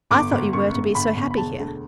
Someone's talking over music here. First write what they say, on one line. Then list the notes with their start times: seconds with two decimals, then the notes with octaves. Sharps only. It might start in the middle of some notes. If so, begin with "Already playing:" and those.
"I thought you were to be so happy here."
0.11 G1 D6
0.32 G1
0.53 F#2 C#6
0.75 G1
0.95 G1 B5
1.17 G1
1.31 B5
1.37 E1 A5
1.60 D2